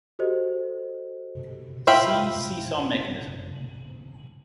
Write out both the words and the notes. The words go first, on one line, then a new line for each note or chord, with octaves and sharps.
See seesaw mechanism.
F#4 G4 A4 C5 D#5
F4 E5 G5 B5